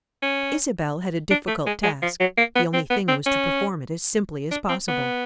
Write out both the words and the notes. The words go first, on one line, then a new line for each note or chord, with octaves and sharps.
Isabel had a difficult task--the only thing was to perform it as simply as possible.
C#4
D4
A3
G#3
G#3
F3
F#3
A#3
B3
C4
B3
C4
C#4
D4
C4
B3